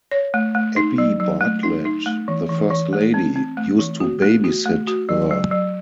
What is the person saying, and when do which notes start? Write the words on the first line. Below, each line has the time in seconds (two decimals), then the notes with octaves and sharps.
Abbey Bartlet, the First Lady, used to babysit her.
0.11 C#5
0.34 A3
0.55 A3
0.76 D#4
0.98 F#3
1.20 F#3
1.41 A3
1.63 D#4
1.85 D#4
2.06 A3
2.28 E3
2.49 E3
2.70 E3
2.93 A3
3.14 C4
3.36 C4
3.57 A3
3.79 E3
4.00 F#4
4.22 A3
4.44 F#4
4.66 A3
4.87 F#4
5.09 F#3
5.31 F#3
5.51 F#3